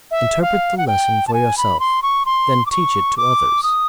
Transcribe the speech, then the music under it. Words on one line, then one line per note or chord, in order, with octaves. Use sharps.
Interpret the lesson for yourself, then teach it to others.
E5
F5
F#5
G5
A5
G#5
B5
C6
C#6
C6
D6
C#6
D6
D#6